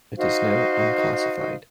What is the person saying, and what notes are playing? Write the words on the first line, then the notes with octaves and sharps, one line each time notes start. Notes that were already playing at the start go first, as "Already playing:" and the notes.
It is now unclassified.
D#4 F#4 C5 F5